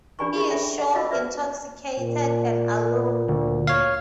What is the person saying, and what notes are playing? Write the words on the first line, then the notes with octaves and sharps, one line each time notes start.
He is shown intoxicated and alone.
D4 G4 D5 G#5 B5 C#6
G4 G#4 B5 C#6
A4 E5 G5 G#5 B5
F#5
F4 F#4 D#5 F5 B5 E6
B4 D5 E5
A#2
D2
C#5 F5